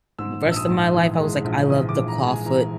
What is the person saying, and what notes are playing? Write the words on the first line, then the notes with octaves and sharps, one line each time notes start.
rest of my life, I was like, "I love the clawfoot
G#2 E6
A#1
E6
D#6
G#2
E3
G#3
A#1
E3 D#6
D6
A#1
A#5
G#3
G#5
E3 A#5